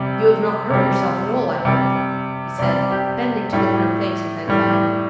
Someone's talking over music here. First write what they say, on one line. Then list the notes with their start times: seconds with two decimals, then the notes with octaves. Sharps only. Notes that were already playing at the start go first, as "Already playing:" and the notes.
"You have not hurt yourself at all, I hope?" he said, bending to look in her face with anxiety.
Already playing: C3 G3
0.70 C3 G3
1.65 C3 G3
2.58 C3 G3 D5
2.91 G4
3.53 A2 G3
4.48 A2 G3